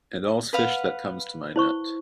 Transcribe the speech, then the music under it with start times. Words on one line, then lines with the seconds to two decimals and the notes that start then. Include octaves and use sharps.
And all's fish that comes to my net.
0.53 B4 F5 F#5
1.56 E4 C5 C#6